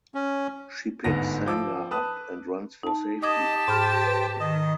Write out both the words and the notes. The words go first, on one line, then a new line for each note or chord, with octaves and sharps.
She picks Sangha up and runs for safety.
C#4
G1 D2 G#2 B3 A#6
F3 D6 E6
B4 A5 D#6 F#6
D#4 A5
G4 D#5 A5 D6 D#6 G#6
G#2 C5 G5 B5 F6
B4
D#3 D#5